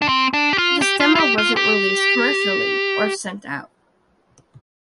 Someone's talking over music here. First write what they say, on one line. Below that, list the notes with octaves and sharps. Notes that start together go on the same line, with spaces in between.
This demo wasn't released commercially or sent out.
D4
C4
D4
G4
F4
G4
F4
F4
G4
F4
G4